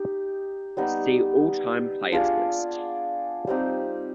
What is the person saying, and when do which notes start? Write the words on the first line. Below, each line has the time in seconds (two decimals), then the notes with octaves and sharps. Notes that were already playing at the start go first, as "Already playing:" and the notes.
See all-time players list.
Already playing: D#4 G4
0.77 G3 B3 D#4
2.12 D4 F4 G#4 D5
3.47 G3 C4 D#4 G4